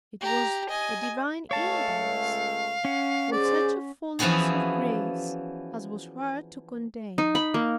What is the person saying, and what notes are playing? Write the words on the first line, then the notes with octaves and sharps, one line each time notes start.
It was a divine impulse, with such a fulness of grace as was hard to contain.
G4 A#5
D#5 G#5
C#2 A3 C#5 F5 A5
C#4 F#5
G#4 C5 D5
E3 F3 B3 C#4 F#4 G#4
D#4
B5
A#3